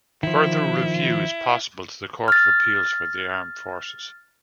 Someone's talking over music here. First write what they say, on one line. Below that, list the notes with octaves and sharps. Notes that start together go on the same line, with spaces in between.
Further review is possible to the Court of Appeals for the Armed Forces.
D#3 F3 E4
F6 A6